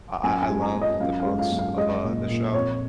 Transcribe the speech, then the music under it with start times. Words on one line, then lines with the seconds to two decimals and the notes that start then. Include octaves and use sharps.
I I I love the books of, uh, the show,
0.24 F#2 G#5
0.42 G#5
0.50 G#3
0.62 A#5
0.74 F#2
0.81 D#5
1.00 F#2 F5
1.20 F5
1.26 G#3
1.39 F5
1.52 F#2
1.59 F5
1.77 G#3 D#5
2.03 A#2
2.29 A#2
2.54 F2 C#5